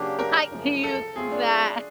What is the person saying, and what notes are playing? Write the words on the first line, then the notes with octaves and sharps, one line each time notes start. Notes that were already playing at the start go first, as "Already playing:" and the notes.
Like, do you think that
Already playing: C#3 F#3 A#3 D4 G4
A#4
F#2 C#3 F3
A4
C#3 F#3 A3 C4 F4 G#4
D4